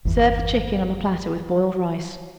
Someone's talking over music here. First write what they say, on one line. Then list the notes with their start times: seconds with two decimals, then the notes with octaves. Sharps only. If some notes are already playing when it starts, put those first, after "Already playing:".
Serve the chicken on a platter with boiled rice.
0.05 G1 E2